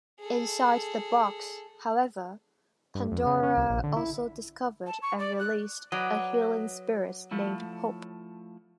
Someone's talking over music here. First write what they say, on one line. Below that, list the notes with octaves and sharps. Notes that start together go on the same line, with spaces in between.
Inside the box, however, Pandora also discovered and released a healing spirit named Hope.
G#4 A4
G2
F2
C#3
C#4
C2
A#1
D3
E4
A5
C#6
D5
F#6
F#3 B4 D5 D#5
F3 A3 E4